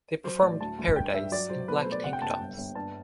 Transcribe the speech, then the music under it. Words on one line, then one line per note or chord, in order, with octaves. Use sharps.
They performed "Paradise" in black tank tops.
F#3 C5
A2 D5
D2 A5
D2
G2 G5
G2 E5
F#3 D5
F#3 C5
B2 B4
C5
A3
D5
C3 F#5
G5
F#1 A5
G5
G1
G1
G2 A5